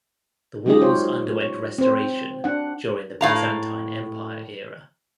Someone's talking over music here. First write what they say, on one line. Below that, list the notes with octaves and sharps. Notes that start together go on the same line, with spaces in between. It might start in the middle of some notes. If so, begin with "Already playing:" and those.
The walls underwent restoration during the Byzantine Empire era.
F#3 G#3 D#4 F4 G4 D#5
F4 C5 C#5
C#5
C4 C5
D4 F#5
A2 F5 A#5